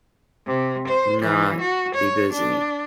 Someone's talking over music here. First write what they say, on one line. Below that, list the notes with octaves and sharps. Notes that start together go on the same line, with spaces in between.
not be busy,
C3
C5
E3
F#4
C#5
D4